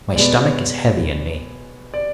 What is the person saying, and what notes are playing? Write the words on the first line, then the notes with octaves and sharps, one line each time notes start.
My stomach is heavy in me.
B2 G#3 B3 D5
C#5
D5